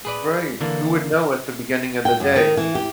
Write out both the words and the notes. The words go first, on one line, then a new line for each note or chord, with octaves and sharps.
Right. Who would know at the beginning of the day?
G#4 B4 D5
D3 E3 A#3 D4
G5
F#2
D#3
E3
G4